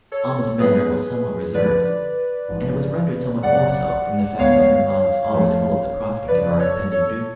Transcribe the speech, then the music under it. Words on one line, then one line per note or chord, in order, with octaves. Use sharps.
Almah's manner was somewhat reserved, and it was rendered somewhat more so from the fact that her mind was always full of the prospect of our impending doom.
A4 C#5
G#2 F#3 B3 G#4 B4
F#2 D3 F3 B4 D5
A1 G#2 F3
F#2 C#3 F#3 D5 F#5
D2 D3 G#3 B3 C#5 F5
F2 F3 A3
F#2 C#3 F3 B4 D5
A4 C#5
A4 C#5